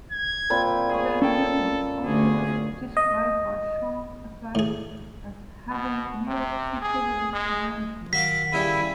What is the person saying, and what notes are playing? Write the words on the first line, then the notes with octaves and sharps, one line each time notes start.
Their music also was described by Chart Attack as having "neo-psychedelic arrangements".
G#6
A#2 C4 B5
G#4 C#5 D#5
C#4 A4 G5
D2 G#4
D#5
A2 G#4
B2
C3
G#4
G#3
D#3 F#3 F5 D6 B6
C#3 G3 C#4 E4